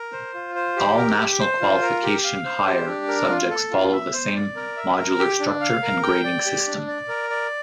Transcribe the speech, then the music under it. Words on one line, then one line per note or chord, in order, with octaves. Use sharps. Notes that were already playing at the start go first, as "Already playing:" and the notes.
All National Qualification Higher subjects follow the same modular structure and grading system.
Already playing: A#4
C5
F4
C5
G4
A#4
G4
C5
F4
A#4
G4
F5
C5
G4
D4
A#4
F4
A4
F4
E5
C5
D5
A#4
E5
A#4
G4
D4
F5
A#4
G5
D5
G4
D4
D5
A#4
D5